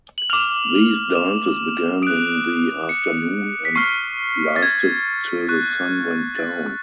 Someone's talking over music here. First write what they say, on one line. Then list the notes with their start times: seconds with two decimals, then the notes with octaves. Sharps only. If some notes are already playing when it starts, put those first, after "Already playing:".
These dances began in the afternoon and lasted till the sun went down.
0.18 F#7
0.30 D6 F6 F7
1.15 E7
2.02 D#6 F#6 D7
2.89 C#7
3.65 B6
3.75 C#6 F6 C7
4.56 A6
4.63 G#6
5.49 C#6 F#6
6.35 A6